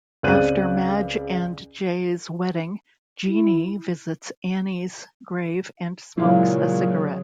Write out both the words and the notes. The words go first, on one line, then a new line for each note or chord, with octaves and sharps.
After Madge and Jay's wedding, Jeanie visits Annie's grave and smokes a cigarette.
C#2 C#3 C4 D5 F#6 D#7
E4
A#2 C#3 F#3 G#3 E4 F5